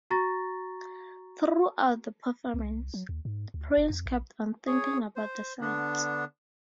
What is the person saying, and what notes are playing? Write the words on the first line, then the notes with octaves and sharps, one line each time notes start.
Throughout the performance, the prince kept on thinking about the sights.
F#4 A#5 C#6 A6 A#6
C2
F#3
D#2
G#2
D2
F#1
F2
A#1
G#4 C#5
C5
D3 B3 D4